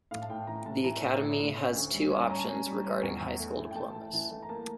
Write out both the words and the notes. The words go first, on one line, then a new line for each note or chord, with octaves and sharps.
The Academy has two options regarding high school diplomas.
A2 F5
A5
A2 G5
E3 A#5
A2 A5
E3 A#5
A2
A2
A2
C#4
D2
G3
C#4
A5
C#4 A#5
C#4
G3
C#4
E2
E2
A3
E3
G5
A3 A5
E3
E3
A3
A#5
A#3 A5